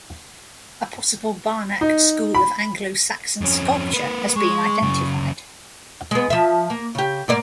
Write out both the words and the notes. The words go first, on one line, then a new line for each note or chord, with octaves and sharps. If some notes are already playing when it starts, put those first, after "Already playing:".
A possible Barnack school of Anglo-Saxon sculpture has been identified.
D#4
B5
F2 C#4
A#3 B4
G#3 C#6
F#2 C#3
G#3 B3
F3 E5
A#3
C#3 G4
G#2 A#3 D5